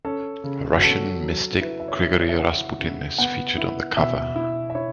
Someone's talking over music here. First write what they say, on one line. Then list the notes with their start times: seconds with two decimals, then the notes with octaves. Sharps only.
Russian mystic Grigori Rasputin is featured on the cover.
0.05 C#4 A4
0.44 C#3
0.78 F#4
0.83 C#4 A4
1.23 F#3
1.61 E4 B4
1.80 E5
1.88 C#5
2.00 E4
2.13 E5
2.21 C#5
2.29 E5
2.39 E4 F#5
2.79 C#3
3.18 B3 F#5
3.58 E4
3.97 B2 E5
4.36 E4
4.70 E5
4.75 E4 C#5